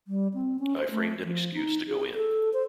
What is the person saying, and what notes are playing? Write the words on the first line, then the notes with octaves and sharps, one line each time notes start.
I framed an excuse to go in.
G3
C4
C#4
C5
A3
F3
D#4
G#4
A4
C5